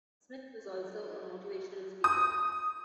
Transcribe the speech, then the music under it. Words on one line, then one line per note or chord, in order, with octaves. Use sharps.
Smith was also a motivational speaker.
D#6